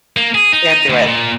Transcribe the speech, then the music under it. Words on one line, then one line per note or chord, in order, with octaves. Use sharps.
Can't do it.
A#3
G#4
D#4
D2
A#2